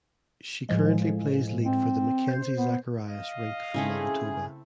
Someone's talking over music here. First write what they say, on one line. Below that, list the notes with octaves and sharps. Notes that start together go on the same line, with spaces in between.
She currently plays lead for the Mackenzie Zacharias rink from Manitoba.
A2 F3 G#3
C4
C5
B3
D#5 F5
C#3 A3 C4 E4 G#4